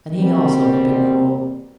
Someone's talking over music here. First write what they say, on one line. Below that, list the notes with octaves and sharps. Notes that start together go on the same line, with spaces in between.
And he also had been cruel.
E2 B2 G3 A#3 C4